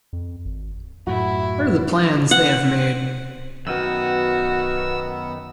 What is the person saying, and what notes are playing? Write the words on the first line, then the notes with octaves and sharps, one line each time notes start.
What are the plans they have made?
F2
G#1
F#2 A2 E4 F#4
F#5
F#2 D#3 B3 F#4 E6